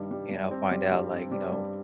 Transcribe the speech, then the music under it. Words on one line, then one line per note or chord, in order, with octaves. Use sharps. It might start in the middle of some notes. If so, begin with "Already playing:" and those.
and I'll find out, like, you know,
Already playing: G2 D#3 G3
G3
G3
C4
G3
G2
C4
G3
G2